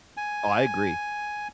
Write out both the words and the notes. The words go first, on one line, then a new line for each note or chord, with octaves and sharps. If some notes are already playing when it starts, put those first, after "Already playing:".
Oh, I agree.
G#5